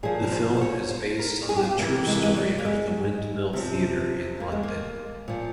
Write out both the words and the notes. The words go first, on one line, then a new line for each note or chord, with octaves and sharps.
The film is based on the true story of the Windmill Theatre in London.
A#2 F3 G#4
A#4
C5
C5
C#5
C5
A#4
G#4
G4
F4
G4
C3 E3 A#3
G#3
A#3
G#3
G3
A#3
G#3
C3 F3
A#3
G#3
A#3
A#2 F3